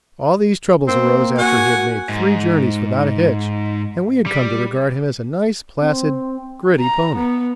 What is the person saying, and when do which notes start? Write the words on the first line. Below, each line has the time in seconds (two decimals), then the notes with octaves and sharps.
All these troubles arose after he had made three journeys without a hitch and we had come to regard him as a nice, placid, gritty pony.
0.88 A#3 C4
1.38 F#4 F#5 G#5
2.09 G#2
4.26 G3
5.81 C4
6.80 A#5
7.15 B3